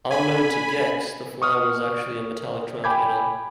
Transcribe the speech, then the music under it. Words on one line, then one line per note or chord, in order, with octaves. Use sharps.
Unknown to Gex, the "fly" was actually a metallic transmitter.
G#5 B5
C#6 D#6 F6
G5 G#5 B5 D6 G6 G#6